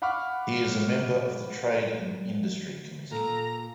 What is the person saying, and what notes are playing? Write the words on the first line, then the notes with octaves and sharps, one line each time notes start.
He is a Member of the Trade and Industry Committee.
F5 F#5 B5 C#6 D6 F6
A#2 A4 A#5